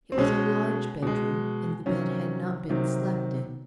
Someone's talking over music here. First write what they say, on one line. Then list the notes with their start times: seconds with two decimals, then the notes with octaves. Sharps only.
It was a large bedroom, and the bed had not been slept in.
0.12 C4
0.18 B2 G#3 C#4
1.03 B2 G#3
1.86 C3 D#3 F#3 C#4
2.69 C3 D#3 F#3